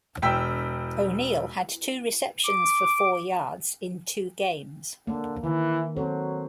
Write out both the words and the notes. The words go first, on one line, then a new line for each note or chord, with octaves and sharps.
O'Neal had two receptions, for four yards, in two games.
E1 G5 E6 B6
D6
D3 A#3
D#3 E3
F#3 C4 A4 C5